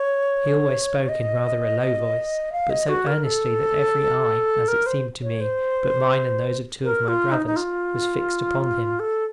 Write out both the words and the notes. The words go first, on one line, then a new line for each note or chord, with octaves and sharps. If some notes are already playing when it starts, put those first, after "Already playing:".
He always spoke in rather a low voice, but so earnestly that every eye, as it seemed to me, but mine and those of two of my brothers, was fixed upon him.
Already playing: C#5
D#5
F5
D#5
F#4
A#4
A4
A#4
C5
C#5
C5
A#4
F4
D#4
D#4
F4
A4